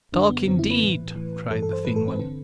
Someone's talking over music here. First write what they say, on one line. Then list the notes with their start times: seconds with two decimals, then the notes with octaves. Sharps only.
"Talk indeed!" cried the thin one.
0.12 F#2 D4
0.17 D3
0.29 B3
0.47 F#2 D3 C4
0.59 E4
0.70 B4
0.82 A2 E3
1.16 A2 E3
1.51 G2 E3 A4
1.62 A4
1.73 C5
1.85 G2 E3 B4
1.96 A4
2.08 C4
2.19 D3 C4